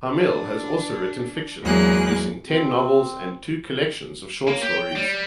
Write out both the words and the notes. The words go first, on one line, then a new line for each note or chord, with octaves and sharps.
Hamill has also written fiction, producing ten novels and two collections of short stories.
D4
E2 F#3 G#3 A#3 G#4 F#6
C4
A#3 C#5
G4
G5
G3